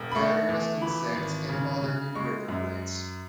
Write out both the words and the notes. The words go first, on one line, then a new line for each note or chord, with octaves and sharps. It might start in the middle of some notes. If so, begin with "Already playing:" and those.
Various insects and other invertebrates.
Already playing: E1
B5
A3 C#6
E2
E3 B5
G#1
C#3
C#3
G#3 C#6
F#2